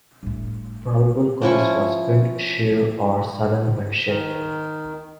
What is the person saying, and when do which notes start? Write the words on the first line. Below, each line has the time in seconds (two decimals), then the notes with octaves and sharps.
Probable cause was wind shear or sudden windshift.
0.23 G1 A2
1.42 F3 C#4 E4 C#6
4.07 D#3